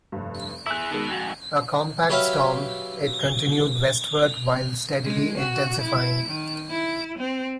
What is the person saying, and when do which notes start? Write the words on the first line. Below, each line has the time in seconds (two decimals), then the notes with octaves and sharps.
A compact storm, it continued westward while steadily intensifying.
0.12 F1 G2
0.66 E4 G#4 E6 F#6
0.91 B2 D#3 G#3
1.10 F2 G#2 F#4
2.09 F#3 G4 B4 C#5 E5 F5
5.04 G#3
5.38 F#4
5.81 E4
6.28 D#3
6.70 E4
7.18 C4